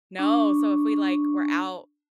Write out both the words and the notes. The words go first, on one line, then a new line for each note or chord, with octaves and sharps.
No, so, if we, like, were out,
D4 C#6